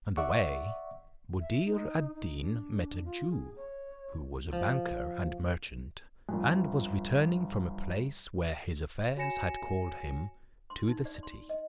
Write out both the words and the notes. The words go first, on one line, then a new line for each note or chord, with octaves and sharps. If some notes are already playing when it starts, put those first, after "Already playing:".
On the way Buddir ad Deen met a Jew, who was a banker and merchant, and was returning from a place where his affairs had called him, to the city.
D5 E5 F#5 C#6
E5
D#4
D#4
D4
F4
G#4
C#5
F3
G1 F2
F#4 C#5 G#5 A#6 C#7 E7
C6
D#4
D5
C6
D#5